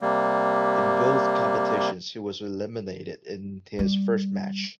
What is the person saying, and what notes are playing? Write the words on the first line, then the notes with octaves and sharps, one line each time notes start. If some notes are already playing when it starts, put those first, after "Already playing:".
In both competitions he was eliminated in his first match.
C3 G3 A#3
G3